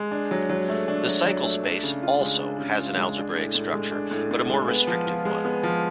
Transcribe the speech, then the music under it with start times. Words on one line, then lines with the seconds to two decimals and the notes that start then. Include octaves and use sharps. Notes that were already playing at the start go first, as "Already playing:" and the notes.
The cycle space, also, has an algebraic structure, but a more restrictive one.
Already playing: G#3
0.11 D4
0.31 F#3
0.49 F#3
0.69 A3
0.88 D4
1.07 F#3
1.26 F#3
1.45 A3
1.63 D4
1.83 C#3
2.02 F4
2.21 G#3
2.40 D4
2.59 C#3
2.78 F4
2.97 G#3
3.16 D4
3.36 A2
3.55 A2
3.73 G#3
3.92 D4
4.11 A2
4.31 A2
4.49 G#3
4.68 B3
4.87 F3
5.06 F4
5.25 G#3
5.45 B3
5.63 F3